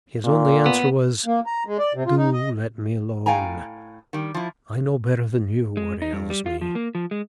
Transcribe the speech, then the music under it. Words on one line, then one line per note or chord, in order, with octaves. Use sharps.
His only answer was, "Do let me alone; I know better than you what ails me."
A#2
B3
A#3
A#5
G#3
D5
C3
F4
D#4
D#5
A2 F5 G5 G#5 A#5
D#3 G3
F3 E4
G#3
D#4
G2
G3
F4
F3
A#3
F3
G#3